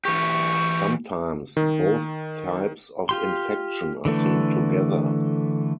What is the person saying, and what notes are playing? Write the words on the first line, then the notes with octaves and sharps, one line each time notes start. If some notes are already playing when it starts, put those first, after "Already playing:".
Sometimes, both types of infection are seen together.
E3 G4 C#6
D#3
F4 G4 C6
D3 E3 A3